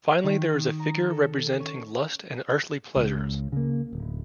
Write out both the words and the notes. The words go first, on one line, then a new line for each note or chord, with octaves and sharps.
Finally there is a figure representing lust and earthly pleasures.
D#3
D#6
A#5
A4
C#4
C#2
C#3 A#3
D1